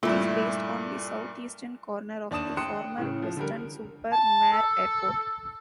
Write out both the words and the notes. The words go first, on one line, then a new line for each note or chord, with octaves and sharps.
It is based on the south-eastern corner of the former Weston-super-Mare Airport.
G2 A#2 A3 E4
D#2 D4 A5 D#6 E7
G5 C6 D#6 F#6 C#7 E7
A2 C#3
F3
D3 G3 A#4
A5
A4